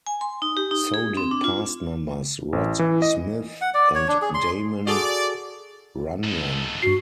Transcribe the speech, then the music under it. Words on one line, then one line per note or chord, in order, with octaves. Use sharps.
So did past members Red Smith and Damon Runyon.
G#5
C6
D#4
G4
D#4
G#4
C4
D4
F4
A1
E3
D#5
F#5
D5
C#5
D4
G#4
C6
F#4 G#4 A4 D5
G#2 A4
G2 F#4 C7